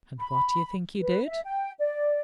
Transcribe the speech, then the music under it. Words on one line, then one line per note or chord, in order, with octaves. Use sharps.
And what do you think he did?
B5
B4
E5
G5
D5